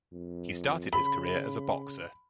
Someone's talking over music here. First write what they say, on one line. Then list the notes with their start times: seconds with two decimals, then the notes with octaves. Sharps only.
He started his career as a boxer.
0.13 F2
0.93 C#3 B5